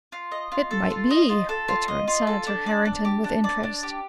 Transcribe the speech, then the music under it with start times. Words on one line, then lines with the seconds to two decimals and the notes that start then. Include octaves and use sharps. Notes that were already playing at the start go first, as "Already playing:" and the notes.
"It might be," returned Senator Harrington, with interest.
0.12 F4
0.32 D#5
0.52 F4
0.71 A4
0.90 F4
1.11 D#5
1.29 F4
1.49 A4
1.68 F4
1.88 D#5
2.08 F4
2.27 A4
2.47 D4
2.66 D5
2.85 D4
3.05 G4
3.24 D4
3.44 D5
3.63 D4
3.83 G4